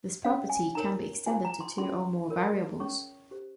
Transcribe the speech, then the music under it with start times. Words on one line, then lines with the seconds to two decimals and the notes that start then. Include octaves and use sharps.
This property can be extended to two or more variables.
0.25 C#4 G#4 C#5 F5
0.50 G#5
0.75 D#4 A#4 C#5 A#5
1.26 F4 G#4 C5 G#5
1.45 A#5
1.60 C6
1.78 C#4 F4 G#4 C6
2.30 F4 A#4 C#5
2.80 C#4 G#4 C#5 C#6
3.31 G4 C5